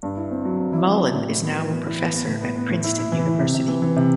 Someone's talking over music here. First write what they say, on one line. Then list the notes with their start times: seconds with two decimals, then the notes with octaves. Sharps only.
Mullen is now a Professor at Princeton University.
0.03 G2
0.17 E4
0.31 C4
0.45 F#3
0.58 C4
0.73 E4
0.87 F#3
1.01 E4
1.15 A2
1.29 A2
1.43 B3
1.57 E3
1.71 B3
1.85 E4
1.99 B3
2.14 B3
2.28 A2
2.41 B3
2.56 B3
2.69 A2
2.84 E4
2.98 E4
3.12 E3
3.26 E4
3.39 C3
3.54 C3
3.68 E3
3.82 E3
3.96 C3